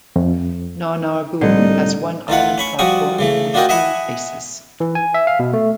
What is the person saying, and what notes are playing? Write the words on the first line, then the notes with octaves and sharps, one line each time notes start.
Nar Nar Goon has one island platform with two faces.
F2
C2 A2 D3 G3 D#4 F#5
A2 E3 F4 F#5
C#4 B5 C#6
F3 G3 F#4 C#6 D#6
C#3 E3 A3
D4 F4 F#4 A#4 D#5 G5
D#5 E5 F#5 G#5 B5
E3
G#5
E5
F5
B2
A3